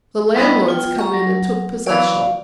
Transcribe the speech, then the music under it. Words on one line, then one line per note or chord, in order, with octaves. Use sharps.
The landlord's come in and took possession.
G3 B3 E4 D#5
F4 G5
F#4 A#5 C#6
F#3
E3 F#3 D5 F5